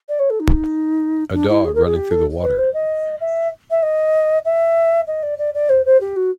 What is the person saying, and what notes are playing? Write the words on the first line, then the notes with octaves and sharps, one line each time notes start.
A dog running through the water.
D5
C#5
A4
D#4
D4
E4
G#4
A#4
G#4
G4
A4
B4
C5
D#5
E5
E5
D#5
E5
D#5
D5
D5
D5
C5
C5
G4
F#4